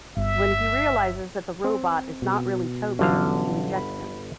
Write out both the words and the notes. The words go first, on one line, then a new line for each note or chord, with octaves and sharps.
When he realizes that the robot is not really Toby, he rejects him.
G1 E5
C4
B2
G1 D3 E3 F#3 C#4 F5
B5